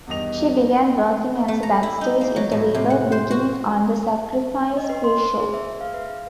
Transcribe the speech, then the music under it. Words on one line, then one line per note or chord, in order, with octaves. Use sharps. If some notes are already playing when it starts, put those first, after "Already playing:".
She began working as a backstage interviewer beginning on the Sacrifice pre-show.
E2 G2 D#3 D#5 F7
A3
A#5
E4
D#4
A#3
F#3
A2
C3
F#5
C5
F#4
D#5
B4
C6
C5
G#4
E5
F5
B4